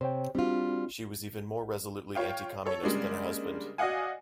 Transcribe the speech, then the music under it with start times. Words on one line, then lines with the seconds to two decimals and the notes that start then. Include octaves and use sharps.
She was even more resolutely anti-Communist than her husband.
0.01 C3 C5 C#5 G5
0.35 G3 C4 D4 F4 F#4
2.15 F4 C#5 F5 G5
2.66 A4 C#5
2.83 C#3 G3 G#3 A#3 D4
3.78 F#4 D5 D#5 F5 F#5 G#5